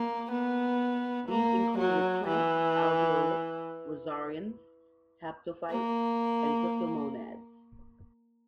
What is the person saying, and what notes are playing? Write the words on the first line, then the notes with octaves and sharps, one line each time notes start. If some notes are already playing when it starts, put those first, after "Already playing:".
These included plants, alveolates, rhizarians, haptophytes and cryptomonads.
Already playing: A#3
B3
A#3
F#3
E3
A#3